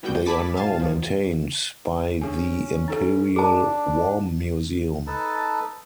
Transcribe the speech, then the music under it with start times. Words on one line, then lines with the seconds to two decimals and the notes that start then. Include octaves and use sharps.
They are now maintained by the Imperial War Museum.
0.03 E3 G3 B3 F#4 G5 G6
0.26 G#5 A5 B5 D6 A6 B6
0.57 B2 F5 G#5 A5 A6
0.79 D#2 D#3 F3
2.21 C#4 D4 G#4 G#5
2.88 D#4 A4
3.36 D4 G#4 A5
5.07 D#4 A4 B4 A5